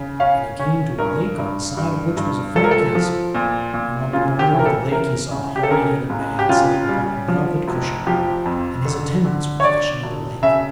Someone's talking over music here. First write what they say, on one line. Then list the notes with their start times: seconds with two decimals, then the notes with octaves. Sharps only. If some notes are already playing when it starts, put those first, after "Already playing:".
And he came to a lake on the side of which was a fair castle, and on the border of the lake he saw a hoary-headed man sitting upon a velvet cushion, and his attendants were fishing in the lake.
Already playing: C#3
0.20 C#4 F5
0.60 C#4
0.99 G2 A#4
1.38 G2
1.77 G2
2.17 G2
2.56 F3 A4
2.64 A#4
2.71 A4
2.95 F3
3.35 A#2
3.74 A#2
4.13 C#3 F4
4.39 G4
4.53 E3
4.59 A#4
4.66 A4
4.92 E3 A#4
5.31 C#3
5.56 G4
5.63 A4
5.71 C#3 A#4
6.10 C#2
6.39 G4
6.49 C#3 F4
6.89 G3
7.28 F3
7.68 F1
8.07 F3 G4
8.46 F2
8.85 D3 A4
9.25 D3
9.60 C#5
9.64 D3 D5
10.03 E1
10.43 C#3 E5